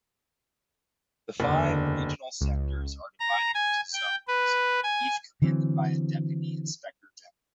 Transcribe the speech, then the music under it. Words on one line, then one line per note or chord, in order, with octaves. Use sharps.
The five regional Sectors are divided into Zones, each commanded by a Deputy Inspector-General.
F#1 E2 D3
C#2
A#5
G#5
G5
B4
G#5
D3 E3 F#3 C4